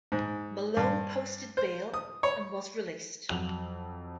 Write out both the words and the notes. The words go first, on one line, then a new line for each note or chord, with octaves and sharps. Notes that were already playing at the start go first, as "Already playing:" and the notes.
Malone posted bail and was released.
G#2
G2
C5
D#6
C#5
F2 F#3 F7 F#7